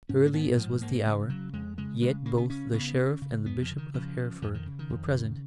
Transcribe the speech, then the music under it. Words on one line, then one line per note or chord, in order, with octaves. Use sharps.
Early as was the hour, yet both the Sheriff and the Bishop of Hereford were present.
G#2 C#4
A#3
G#2 B3
G#2 F3
G#2 A#3
C#3
C#3 F#3
F2 G#3
C#3 G#3
C#3 G#3
C#3 A#3
B3
C#3 C#4
C#3 B3
C#3
C#3
F2 B3
F3
C#3
D#3
C#3 F3
C#3
F2 F3
D#3
C#3
D#3
F2
C#3